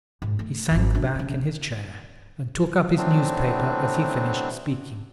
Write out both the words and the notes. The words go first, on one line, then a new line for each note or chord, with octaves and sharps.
He sank back in his chair, and took up his newspaper as he finished speaking.
G#2
A3
D1 G#1
D4
C#3 D4
E3 F#3 A3 B3 C4 D4